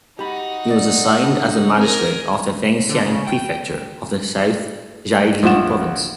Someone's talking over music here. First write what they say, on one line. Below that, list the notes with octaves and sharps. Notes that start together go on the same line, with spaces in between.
He was assigned as the magistrate of the Fengxiang Prefecture of the South Zhili Province.
D#4 F#4 G4 B5
D5
D4
C4 A#4 G#5
D3
C#3
G5
A#1 F4 F#5 E7